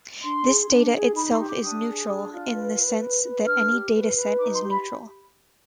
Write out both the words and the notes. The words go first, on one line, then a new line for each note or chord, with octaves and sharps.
This data itself is "neutral" in the sense that any dataset is neutral.
D4 C6
G#4
D4
G#4
D#4 B5
C6
G4
D6
D4 D#6
G#4
D4
F4
B4
B4
B4
B4
D4 F6
G4
B4
B4
D#4 D6
C6
G4
B5